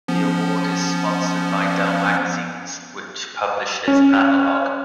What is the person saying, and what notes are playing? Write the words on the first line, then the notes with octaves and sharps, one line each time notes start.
The award is sponsored by Dell Magazines, which publishes "Analog".
F3 B3 C#4
C#4